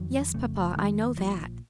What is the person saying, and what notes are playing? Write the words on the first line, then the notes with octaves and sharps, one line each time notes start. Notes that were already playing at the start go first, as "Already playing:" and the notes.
"Yes, papa, I know that."
Already playing: F2 D#3 F#3
F2 C#3 A3
F2 D#3 A3
A#1 A#2 F3